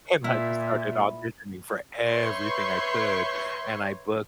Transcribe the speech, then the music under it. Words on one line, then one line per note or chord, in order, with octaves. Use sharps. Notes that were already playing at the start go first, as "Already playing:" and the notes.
and I just started auditioning for everything I could and I booked
A#2 E4
B4 C#5 E5 C6 C#6 G6